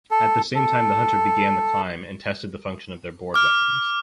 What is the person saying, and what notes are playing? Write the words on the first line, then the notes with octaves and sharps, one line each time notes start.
At the same time the hunter began the climb and tested the function of their board weapons.
A4
A4
D6 F6